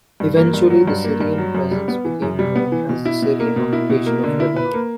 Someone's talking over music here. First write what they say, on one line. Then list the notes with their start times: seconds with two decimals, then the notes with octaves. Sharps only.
Eventually the Syrian presence became known as the Syrian occupation of Lebanon.
0.20 G2
0.37 A#3
0.53 G2
0.70 F#3
0.88 G2
1.04 A#3
1.21 G2
1.38 F#3
1.54 F#2
1.71 G3
1.88 B3
2.05 E3
2.22 F#2
2.39 G3
2.56 B3
2.72 E3
2.89 B2
3.05 E4
3.22 B2
3.40 A#3
3.56 B2
3.73 E4
3.90 B2
4.06 A#3
4.24 D3
4.40 E4
4.56 B4
4.74 A#3